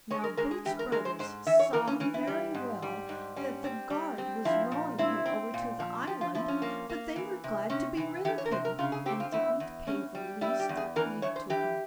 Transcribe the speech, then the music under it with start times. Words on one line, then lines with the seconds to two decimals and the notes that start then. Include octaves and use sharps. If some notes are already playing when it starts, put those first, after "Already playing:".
Now Boots' brothers saw very well that the guard was rowing him over to the island, but they were glad to be rid of him, and didn't pay the least heed to him.
0.11 G#3 C#5
0.24 A#4
0.37 G#3 A#4
0.51 G#4
0.65 E3 G4
0.79 A#4
0.92 G#3 A#4
1.05 C5
1.19 G#2 C5
1.47 E3 E5
1.59 C#5
1.73 E3 A#4
1.87 C#4
2.00 E3 C#4
2.14 E4
2.27 G3
2.55 G#2
2.82 G3
3.09 G#2
3.36 G3 C#4
3.64 C4
3.90 G3
4.18 C4
4.45 F3 E4
4.72 A#2
4.98 C4 E4
5.26 C4
5.54 A#2
5.80 F3
6.07 F3 G4
6.21 F4
6.35 F3 E4
6.48 C#4
6.62 A#3
6.89 A#3
7.16 E3
7.44 C3
7.70 C3 C#4
7.97 E3
8.25 E3 G4
8.38 C#5
8.45 A#4
8.51 C3 C5
8.65 A#4
8.79 C#3 F4
8.92 G#4
9.06 C4 G4
9.20 F4
9.32 E2 E4
9.60 E2
9.87 E2 C#4
10.15 G3
10.41 G3 E4
10.60 G4
10.69 E2
10.77 G#4
10.96 E3 A#4
11.22 E3 C#5
11.36 C5
11.50 E3 G4